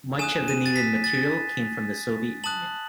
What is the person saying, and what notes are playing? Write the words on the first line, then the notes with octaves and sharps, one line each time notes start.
Much of the needed material came from the Soviet Union.
G#5 D#6 F#6 E7
D#7
A6
B6
A6
A5 D#6 F#6 F#7